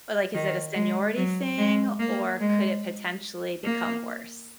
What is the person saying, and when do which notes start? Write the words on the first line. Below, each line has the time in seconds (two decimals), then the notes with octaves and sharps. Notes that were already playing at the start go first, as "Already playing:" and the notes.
Or like, is it a seniority thing? Or could it potentially become worse?
0.34 D#3
0.75 G#3
1.16 F#3
1.58 G#3
1.99 A#3
2.41 G#3
3.64 A#3